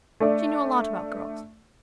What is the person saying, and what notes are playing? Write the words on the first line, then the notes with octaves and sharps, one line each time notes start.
She knew a lot about girls.
A3 D4 D5